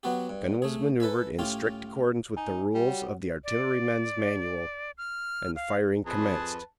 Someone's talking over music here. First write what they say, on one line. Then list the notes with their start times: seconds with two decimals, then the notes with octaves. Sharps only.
The gun was maneuvered in strict accordance with the rules of "The Artilleryman's Manual," and the firing commenced.
0.03 F#3 B3 F#4 G4
0.29 G2
0.62 A3 G#4
1.00 A4 B4 E5 G#5
1.39 A2 C#4 F4 G4
2.37 D#4 G#5
2.74 G3
2.87 F#4 C#5 F#5
3.44 D5
4.98 F6
5.56 F5
6.06 F2 G#4 B4 A5